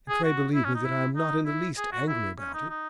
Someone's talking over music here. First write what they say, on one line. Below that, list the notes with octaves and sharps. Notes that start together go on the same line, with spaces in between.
And pray believe me that I am not in the least angry about it.
G#4
F#4
E4
C#4
D#4
E4
D#4
E4
G#4
F#4
E4
C#4
D#4
D#4